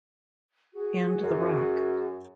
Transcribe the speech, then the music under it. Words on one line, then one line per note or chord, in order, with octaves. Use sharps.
And the rock.
F#4 G#4
F#2